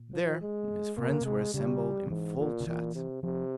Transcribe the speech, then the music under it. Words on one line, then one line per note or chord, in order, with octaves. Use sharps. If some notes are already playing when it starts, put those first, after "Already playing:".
There his friends were assembled in full chat.
Already playing: A#2
F3
G#3
C3 A#3
C#3
C3 G#3
C#3 G3
C#3
G#2 E3
A#2
C#3
A#2 E3
C3
C3 F3